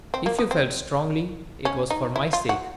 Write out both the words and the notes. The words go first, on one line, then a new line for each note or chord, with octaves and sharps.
If you felt strongly, it was for my sake.
C4
A#3
B3
C4
C#4
D#4
E4
F4
F#4